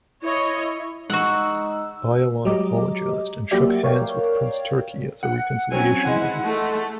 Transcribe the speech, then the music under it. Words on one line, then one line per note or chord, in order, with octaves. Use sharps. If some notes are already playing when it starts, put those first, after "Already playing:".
Ayalon apologized and shook hands with Prince Turki as a reconciliation measure.
E4 C#5 D#5
G#3 D#4 F#4 F#5 E6
F#3 G#3 G4 D#5 A#5 D6
F#3 A#3 F#4 G4 D5 E5
A#4 C#5 D5 F5 G5
F#5
F#3 C4 C#4 G#5
G#3 E4 F#5
A3 A4